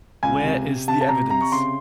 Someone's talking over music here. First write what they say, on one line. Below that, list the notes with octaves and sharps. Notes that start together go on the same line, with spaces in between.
Where is the evidence?
C#2 G#5
C3
C3
C3 A5
A5
C3 A#5
C3 A#5
C#6
C#3 C6